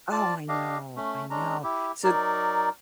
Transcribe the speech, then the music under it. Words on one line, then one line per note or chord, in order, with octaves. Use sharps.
Oh, I know, I know, so
F4 D5 A5
D4 G4 D#5 F5
A3 C#4
G#3 C#4 D4 A#5
E4 G4
F#3 D#4 A#4 D5